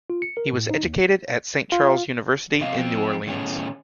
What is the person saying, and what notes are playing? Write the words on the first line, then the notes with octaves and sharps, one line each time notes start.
He was educated at Saint Charles University in New Orleans.
F4
C#7
A#4
A2
D#4
D#2
F4
C3 D#5 F5
F3 C4
A2 D#3 B3 C#4 G#4